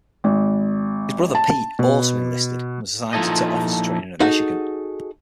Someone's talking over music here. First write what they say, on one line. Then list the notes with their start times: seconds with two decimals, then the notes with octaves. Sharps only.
His brother, Pete, also enlisted and was assigned to officer training at Michigan.
0.24 G#1
1.35 A5
1.79 B2
3.13 A#2 F3 D#4 E4 A4 D#5
4.20 D#4 F#4 G#4 A4 F#5